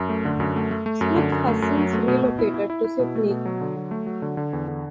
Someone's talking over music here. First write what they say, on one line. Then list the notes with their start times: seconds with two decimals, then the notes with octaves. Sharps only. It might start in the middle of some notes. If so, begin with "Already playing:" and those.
Smith has since relocated to Sydney.
Already playing: F#2
0.09 A3
0.25 D3
0.40 F#2
0.56 A3
0.71 A3
0.86 A3
1.01 F#2
1.16 D3
1.32 F#2
1.47 A3
1.62 F#2
1.77 F#3
1.93 A3
2.08 B2
2.23 B2
2.39 E4
2.54 E4
2.70 E4
2.84 E4
2.99 B2
3.15 A3
3.30 B2
3.45 F#3
3.61 D3
3.76 F#3
3.91 A3
4.06 F#3
4.22 D3
4.37 D3
4.53 E2
4.68 D3